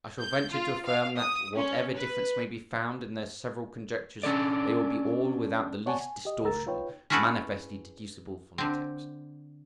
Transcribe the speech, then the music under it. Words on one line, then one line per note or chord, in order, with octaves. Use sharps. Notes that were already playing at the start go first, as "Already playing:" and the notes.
I shall venture to affirm that, whatever difference may be found in their several conjectures, they will be all, without the least distortion, manifestly deducible from the text.
G6
F4
F5
D#6
C#4
B4
C#4 D4 A4 D5
C#5 D5 F#5 G#5 A5 C#6
G#5
G4 D#5
C#2 A3 A#4 A#5 E6 A6
D#4 F4 B4 C#5 G5
C#4 E4 F#4 G#4 A4 B4
D3 C4